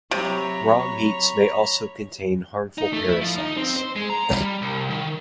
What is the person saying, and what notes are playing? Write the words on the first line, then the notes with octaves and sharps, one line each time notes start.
Raw meats may also contain harmful parasites.
C3 F#3 C#5 A#5 B5
D#4
A3
E4
F3
D#4
C4
C5
G#3
A#5
G3
C2
D#3